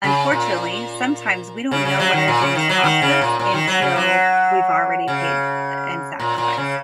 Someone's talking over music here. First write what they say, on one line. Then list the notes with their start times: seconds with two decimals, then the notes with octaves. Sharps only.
unfortunately, sometimes we don't know what our dreams cost us until we've already paid and sacrificed.
0.04 C#3
0.32 A#2
1.71 C#3
1.85 C#3
2.00 F#3
2.13 D#3
2.28 A#2
2.41 C#3
2.55 D#3
2.69 F#3
2.83 D#3
3.02 C#3
3.21 A#2
3.39 A#2
3.53 D#3
3.68 F#3
3.82 C#3
3.96 F#3
5.08 C#3
6.20 A#2
6.38 A#2
6.57 C#3